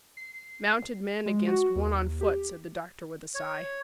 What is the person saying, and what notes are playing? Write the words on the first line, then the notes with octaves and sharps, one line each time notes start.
"Mounted men against one on foot," said the doctor, with a sigh.
C7
G#3
F#4
D#2
G4
C#5